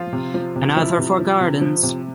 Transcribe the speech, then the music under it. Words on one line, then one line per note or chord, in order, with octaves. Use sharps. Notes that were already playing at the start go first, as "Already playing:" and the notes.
Another for gardens.
Already playing: F3 F4
C3
F3
C3
F3 E4
C3
F3
C3
F3
C3